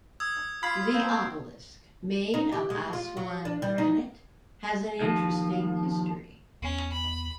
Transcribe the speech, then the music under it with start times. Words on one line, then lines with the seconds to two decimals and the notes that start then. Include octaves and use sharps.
The obelisk, made of Aswan granite, has an interesting history.
0.20 D#6 E6 G#6
0.63 F4 B5 F6 G#6 C7
0.93 A#3 C4
2.34 D#4
2.52 G4
2.70 G#3
2.93 F4
3.17 F#3
3.45 D4
3.62 G3
3.78 D#4
5.01 D#2 F3
6.62 E2 C#4
6.92 B5